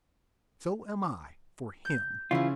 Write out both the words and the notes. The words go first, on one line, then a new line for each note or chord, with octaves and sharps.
So am I--for him.
G6
C#3 E3 C#4 E4 F4